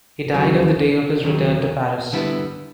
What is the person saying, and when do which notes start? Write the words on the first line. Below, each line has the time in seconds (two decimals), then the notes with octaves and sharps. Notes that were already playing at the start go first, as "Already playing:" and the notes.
He died on the day of his return to Paris.
0.34 D#2 C#3 F#3
1.24 D#2 D#3 F#3
2.13 D3 G3 B3 E4